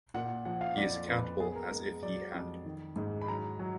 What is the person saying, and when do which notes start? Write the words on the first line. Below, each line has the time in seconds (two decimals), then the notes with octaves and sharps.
He is accountable as if he had.
0.14 A#2 F#5
0.45 F3 F#5
0.61 F5
0.77 F2 D5
1.08 F2 B4
1.40 B3 G#4
1.56 A#4
1.71 G#3 A#4
2.03 F#3 D5
2.34 F2
2.65 D#3
2.96 G#2
3.21 B5
3.28 F#3 A#5
3.59 F#3